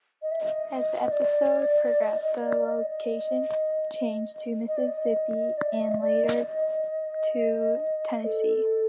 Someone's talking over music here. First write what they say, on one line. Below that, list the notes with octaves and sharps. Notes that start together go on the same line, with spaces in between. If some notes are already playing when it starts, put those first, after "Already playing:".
As the episodes progressed, the location changed to Mississippi, and later to Tennessee.
D#5
E5
D#5
D5
D#5
D#5
D5
D#5
D#5
D#5
D5
D#5
D5
E5
D#5
D5
D#5
D#5
A4